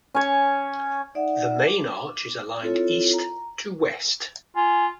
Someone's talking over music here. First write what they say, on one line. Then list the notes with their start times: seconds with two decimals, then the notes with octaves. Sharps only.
The main arch is aligned east to west.
0.15 C#4 C#5
1.15 D#4 D5 E5 F#5
1.67 D6
2.61 C4 E4 F4 A4 C#5
3.13 A#5
4.56 F4 G#5